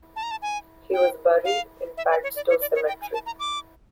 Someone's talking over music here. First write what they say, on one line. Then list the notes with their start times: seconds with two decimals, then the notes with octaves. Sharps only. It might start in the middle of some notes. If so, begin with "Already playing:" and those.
He was buried in Padstow Cemetery.
0.16 A5
0.23 A#5
0.31 A5
0.42 G#5
0.93 G5
1.45 F5
1.97 E5
2.10 D5
2.23 C#5
2.36 D5
2.49 C#5
2.61 D5
2.75 C#5
2.88 G5
3.01 G#5
3.14 A5
3.26 A#5
3.39 D6